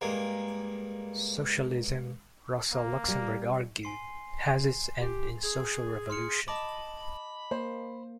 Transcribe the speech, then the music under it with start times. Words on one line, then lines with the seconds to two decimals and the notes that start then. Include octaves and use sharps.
Socialism, Rosa Luxemburg argued, has its end in social revolution.
0.01 G2 G#3 A#3
2.72 A#3
3.08 G3
3.83 G#5 C6 C7
5.00 G4
5.43 G#4 G#6
6.10 C6 F6 C#7
6.48 D#5 A5 B5 D6
7.51 A#3 C5